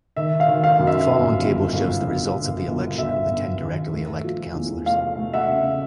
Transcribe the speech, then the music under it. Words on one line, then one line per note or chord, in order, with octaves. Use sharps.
The following table shows the results of the election of the ten directly-elected councillors.
D#3 E5
F5
D#3
F5
F#2
E5
G1
G1
G1
G1
G1
G1
G1 E5
G1
D#3
A3
F3
E2
A3 F5
A3
E5 F#5
C#3